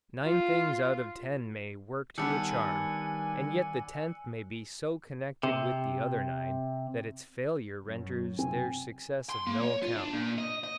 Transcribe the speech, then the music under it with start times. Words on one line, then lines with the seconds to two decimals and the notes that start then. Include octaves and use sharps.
Nine things out of ten may work to a charm, and yet the tenth may be so connected with the other nine, that its failure renders their success of no account.
0.24 F4
2.18 D#3 G3 B3 D4 G#5 E6 F#6 C#7
5.43 C3
7.85 F#2
8.39 C3 C4 G#5
9.30 C6
9.47 A#3
9.61 C#5
9.82 F4
9.96 D4
10.13 A#2
10.38 D#5
10.64 D#5